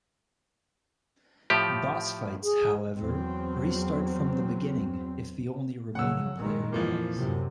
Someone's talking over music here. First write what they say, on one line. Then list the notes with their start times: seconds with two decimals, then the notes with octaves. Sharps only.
Boss fights, however, restart from the beginning if the only remaining player dies.
1.50 A2 F3 G4
2.43 G#4
2.99 E2 F#3 C4
5.95 F2 C#3 F#3 F#5 E6
6.37 A#2 D#3 G#3
6.72 F2 A#2 E3 F3
7.17 F#2 A2 C3